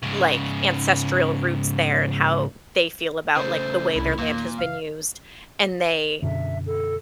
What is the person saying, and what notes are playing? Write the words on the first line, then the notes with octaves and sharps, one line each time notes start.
like, ancestral roots there and how they feel about, like, the way their land has been used, and they,
G#2 C#3
C#3 A3 C5
C2 D#3 E4
D#2 A#2 A#3
F#1 F5
F#2 B2 D3 E5
A4